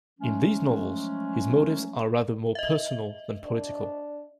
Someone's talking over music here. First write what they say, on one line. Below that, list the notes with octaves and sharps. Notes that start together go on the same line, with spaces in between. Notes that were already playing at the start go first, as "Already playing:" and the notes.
In these novels, his motives are rather more personal than political.
F3 F#3 G#3 A3 C#4
D#5 E5
D4